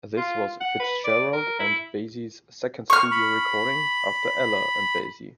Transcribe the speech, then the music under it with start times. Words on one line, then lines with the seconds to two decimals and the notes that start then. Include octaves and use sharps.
This was Fitzgerald and Basie's second studio recording after Ella and Basie!
0.17 F4
0.61 F#5
0.79 B4
1.04 D5
1.33 A#4
1.59 E4
2.90 C#6 F6
3.11 B5